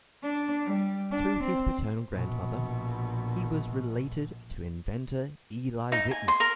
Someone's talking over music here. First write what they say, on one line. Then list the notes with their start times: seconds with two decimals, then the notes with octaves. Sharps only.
Through his paternal grandmother, he was related to inventor Eli Whitney.
0.23 D4
0.65 G3
1.11 D4
1.43 C4
2.11 A#1 B2
5.92 D#4
6.11 G#5
6.28 C6
6.40 A#4